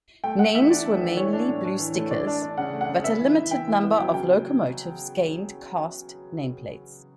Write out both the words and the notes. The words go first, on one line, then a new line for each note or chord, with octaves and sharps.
Names were mainly blue stickers, but a limited number of locomotives gained cast nameplates.
A3 G5
A3 F#5
E3 E5
D4 D5
A3
E3
E3 C#5
D4
A2
D4
E3
A3
D4 D5
D4
D4
C#3 F#5
A3
F#5
C#3
B3 E5
E3
E3
E3 G5
E3
B3
F#3 G5
C#3 G5